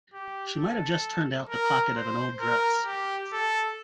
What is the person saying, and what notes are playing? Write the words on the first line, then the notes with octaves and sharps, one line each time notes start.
She might have just turned out the pocket of an old dress.
G4
A4
A#4
C5
A#4
G4
A4